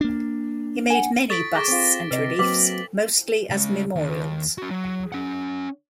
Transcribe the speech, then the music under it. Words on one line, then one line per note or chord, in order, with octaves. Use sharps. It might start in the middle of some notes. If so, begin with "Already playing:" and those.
He made many busts and reliefs, mostly as memorials.
A#3 D4
F#5 G#5
A4 C#6 A6 B6 D7
G#4 C#6 D6 A#6 G7
C4 F4
C3 B4 D#5
F#3 A#3 C4 B4 F5 D6 B6 F#7
C#3 G#3
D#2
C#4 F#4
F#3
C#4 F#5